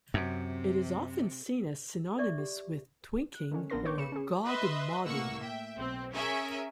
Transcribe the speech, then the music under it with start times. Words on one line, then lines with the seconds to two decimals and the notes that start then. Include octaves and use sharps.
It is often seen as synonymous with twinking or "godmoding".
0.14 F#2 C3
2.18 D5 E5 C#6 D6
2.38 G4
3.34 F#6
3.52 D3 D#3 C#4
3.70 A#1 B3 D4 A#4 C6 A#6
3.85 B4 C#5 C#6 D6 G6
3.98 C#3 B5 C#7 E7
4.12 C#4 G#4
4.44 B4 D#5 E5 C6
5.06 A2 A#3 F#5 C#6 E6
5.42 E5 G5
5.78 B1 C4
6.13 C#4 G#4 A#4 E5 G#5